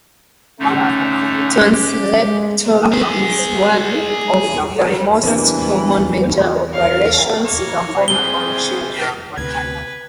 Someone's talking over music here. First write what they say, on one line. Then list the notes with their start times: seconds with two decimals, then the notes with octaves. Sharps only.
Tonsillectomy is one of the most common major operations performed on children.
0.59 D3 A3 C#4 D#4
1.72 G4
2.23 G#3
2.92 G#4 E5
5.23 E2 C3 E3 A#3 D4
6.74 A#4 C#5 F5
7.45 A#3 C#5
8.08 E3 F3 C4 G#4 G7
9.37 D2 C3 B4 G#6